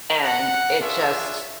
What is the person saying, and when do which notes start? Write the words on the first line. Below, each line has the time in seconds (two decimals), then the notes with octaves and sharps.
and it just
0.22 F#5
0.81 D4 F4 G#4 C#5 E5